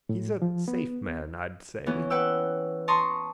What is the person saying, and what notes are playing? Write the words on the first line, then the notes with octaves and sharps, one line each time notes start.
He's a safe man, I'd say.
A2
F3
B3
E3 B3 C#4
B4 F#5 G5 E6
A5 A#5 C6 C#6 D#6